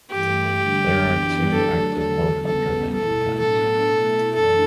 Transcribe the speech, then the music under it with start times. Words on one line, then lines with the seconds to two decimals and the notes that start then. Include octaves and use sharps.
There are two active helicopter landing pads.
0.11 G2 E3 A3 G4
0.58 D3 G3 D4
1.05 F#2 E3 B3 D4
1.52 D3 F#3 A3 D4 A4
1.99 E2 D3 F#3 A4
2.46 C#3 G3 B3 A4
2.93 B2 A3 E4 A4
3.40 A2 F#3 B3 D4 A4
3.87 B2 A3 E4
4.34 F#2 E3 A3 D4 A4